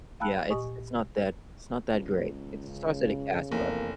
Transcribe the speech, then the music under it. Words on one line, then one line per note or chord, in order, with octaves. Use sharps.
Yeah. It's it's not that it's not that great. It stars Eddie Cass, but
F5 G5 A5 B5 E6 F#6
A#2 G4 D#5 G#5 C#6 D#6
C#2
C#3
F1 E2 A#3